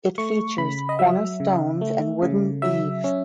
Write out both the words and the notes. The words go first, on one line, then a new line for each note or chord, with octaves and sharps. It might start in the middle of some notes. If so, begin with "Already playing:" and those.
It features corner stones and wooden eaves.
A3 C#6
C#3 B5
D#5
F#3 E5
C#3
A3
C#3
F#3 E5
C#4